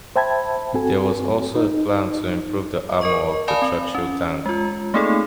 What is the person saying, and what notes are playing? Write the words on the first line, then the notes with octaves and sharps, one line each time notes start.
There was also a plan to improve the armor of the Churchill tank.
C5 E5 G5 A5 B5 G#6
G2 C4 F#4 A4 G#5
D#4
A#4 D#5 C#6
D5 F5 G#5 A5 B5 D#6
C4
C#4
G#3 F4
A3 A#3 C4 D#4 G#4 A4